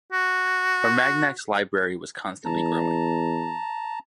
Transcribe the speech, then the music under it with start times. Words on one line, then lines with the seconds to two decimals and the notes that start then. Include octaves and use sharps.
Armagnac's library was constantly growing.
0.13 F#4
2.45 E2 A5 A#5